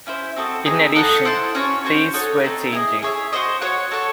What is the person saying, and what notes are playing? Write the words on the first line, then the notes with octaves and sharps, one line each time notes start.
In addition, tastes were changing.
C#4 E4 C5 E5
C4 F#4 A4 D#5
C4 D#4 G#4
D#4 A4 D#5 F#5
E4 C5 F#5 A5
C#4 F#4 C#5
C#4 F#4 C5
D#4 A4 C#5 F#5
A3 C4 D#4 A4
E4 G#4 D#5
G#4 C#5 E5
F#4 C5 D#5
F#4 C#5 F#5
F#4 A4 C#5 F#5